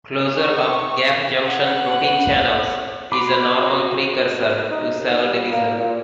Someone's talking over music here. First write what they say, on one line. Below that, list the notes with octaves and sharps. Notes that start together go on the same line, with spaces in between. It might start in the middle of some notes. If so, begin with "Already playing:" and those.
Closure of gap junction protein channels is a normal precursor to cell division.
C#6
F#5
F#4 B5 C6 D6
D#4
D#2
G3
A#3
A#2